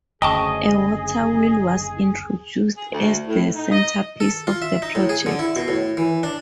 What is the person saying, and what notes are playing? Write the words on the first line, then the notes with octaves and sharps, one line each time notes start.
A water wheel was introduced as the centrepiece of the project.
F#1 D2 C#3 G#4 D#5 G5 A5 C#6
G#4
D2
A2
D#4
D#5
A4
F4
E5
D#4
A2
G#4
D3
E4
B2
A2
E3
D4